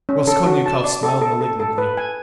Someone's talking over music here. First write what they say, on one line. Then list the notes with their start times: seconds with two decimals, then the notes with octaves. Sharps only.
Raskolnikov smiled malignantly.
0.09 C#4
0.27 A4
0.46 F#4
0.66 A5
0.84 D5
1.03 A4
1.21 A4
1.41 A4
1.60 A4
1.78 B4
1.97 G#5